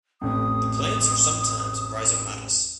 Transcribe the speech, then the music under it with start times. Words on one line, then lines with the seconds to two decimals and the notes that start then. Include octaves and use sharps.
The plants are sometimes rhizomatous.
0.21 A1 F2 D#6